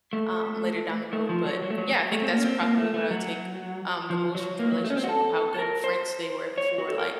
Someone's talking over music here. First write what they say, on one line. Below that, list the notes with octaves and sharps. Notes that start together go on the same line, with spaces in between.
um, later down the road, but, yeah, I think that's probably what I would take, um, the most from the relationship, of how good of friends they were before, like,
A3
A3
F3
F#3
F#3
A3
F#3
A3
C4
A#3
C#4
C4
A#3
A3
A3
F#3
F3
F#3
A#3
F#3
A3
C#4
C4
F#4
A4
A4
A#4
C5
C#5
F#4
A4
A#4